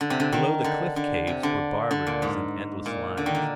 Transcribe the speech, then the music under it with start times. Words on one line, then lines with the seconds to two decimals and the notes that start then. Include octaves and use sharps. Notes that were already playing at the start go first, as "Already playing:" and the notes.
Below the cliff caves were bar rooms in endless lines.
0.01 D3
0.10 C3
0.20 D3
0.32 D#3
0.64 D3
0.96 D3
1.27 C3
1.43 D3
1.91 D3
2.07 A#2
2.22 G#2
2.86 A#2
3.17 D3
3.26 D#3
3.35 D3